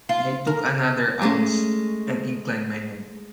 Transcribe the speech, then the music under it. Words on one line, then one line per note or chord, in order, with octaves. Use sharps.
I took another ounce, and inclined my head.
F4
A#4
G#3 A3 C#4